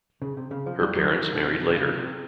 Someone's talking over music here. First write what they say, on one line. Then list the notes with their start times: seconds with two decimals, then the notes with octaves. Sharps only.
Her parents married later.
0.22 C#3
0.37 C3
0.51 C#3
0.66 F3
0.81 G3
0.95 F#3
1.04 D#3
1.10 E3
1.21 D#3
1.32 B2
1.43 B2
1.54 C3
1.61 C#3
1.68 C3
1.76 C#3
1.98 C3